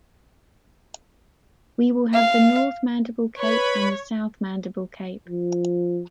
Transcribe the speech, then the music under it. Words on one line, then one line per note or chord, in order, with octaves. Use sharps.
We will have the North-Mandible cape and the South-Mandible cape.
F5
B4 C#5 B5
F3